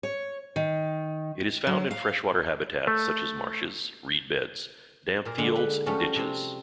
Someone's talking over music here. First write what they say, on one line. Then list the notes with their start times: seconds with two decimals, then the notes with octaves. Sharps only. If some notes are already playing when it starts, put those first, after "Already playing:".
It is found in freshwater habitats such as marshes, reedbeds, damp fields and ditches.
0.03 C#5
0.56 D#3
1.67 F#3
1.91 F5
2.87 A3
5.25 A#2 A#4
5.38 D3 G#3 B3
5.56 B4
5.86 F3 G3 A3 C#4 F#4 B4
6.16 C3 C4